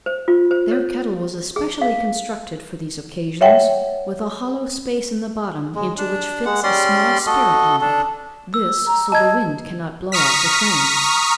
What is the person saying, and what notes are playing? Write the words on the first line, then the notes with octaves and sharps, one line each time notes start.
Their kettle was especially constructed for these occasions with a hollow space in the bottom into which fits a small spirit-lamp,--this so the wind cannot blow out the flame.
C5
F4
C5
C#5
G#4
F5
C#5 E5 F#5 G5
G#3
D4
G#3 F#5
G3 C#4 D5 C6
F#4 A4 D#5
D4 A4
E6
A#5
D#5 A5 G#6
A#5 C#6 D#6 F6 B6